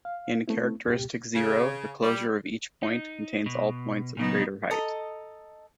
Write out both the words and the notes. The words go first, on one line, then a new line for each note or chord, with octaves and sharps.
In characteristic zero, the closure of each point contains all points of greater height.
F5
A3 B3 C4 E4
C#2 G#2 B2 G4
C#3
G3
D#4
B2
A#2 C#3 F#3 B3 D#4
A4 D#5 A#5 D#6